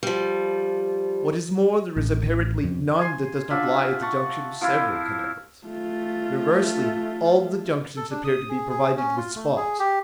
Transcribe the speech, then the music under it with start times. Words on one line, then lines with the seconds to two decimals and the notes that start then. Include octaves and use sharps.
What is more, there is apparently none that does not lie at the junction of several canals. Reversely, all the junctions appear to be provided with spots.
0.03 F3 G3
1.97 A1
2.63 F2
2.99 G#5 C6
3.50 D4 F4 E5 F#5
4.01 F#5 A5 C#6
4.61 F3 C4 E4 F4
5.67 A3 F4
7.97 A4
8.10 D4
8.24 D#6
8.49 G#4
8.70 G#4
8.97 C#4
9.17 F4
9.35 A3
9.56 G#4
9.79 G4